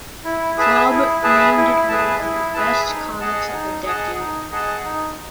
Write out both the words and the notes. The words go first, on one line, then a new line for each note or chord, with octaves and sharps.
Club named it one of the best comics of the decade.
E4
G#4 B4 E5 A5
E4
G#4 B4 E5 A5
E4
G#4 B4 E5 A5
E4
G#4 B4 E5 A5
D#4
G#4 D#5 F#5 A5
D#4
G#4 D#5 F#5 A5
D#4
G#4 D#5 F#5 A5
D#4